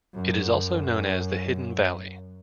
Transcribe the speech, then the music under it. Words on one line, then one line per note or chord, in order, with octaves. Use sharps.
It is also known as "The Hidden Valley".
F#2